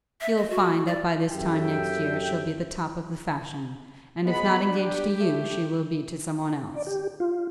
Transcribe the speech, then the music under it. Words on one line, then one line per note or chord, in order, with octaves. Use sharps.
You'll find that by this time next year she'll be the top of the fashion; and if not engaged to you, she will be to some one else.
E5
D#5
F#4
D5
F#2 G4 A4 E5 G5
G#3 B3 B5
D4 G4
A3
D5
G4
F4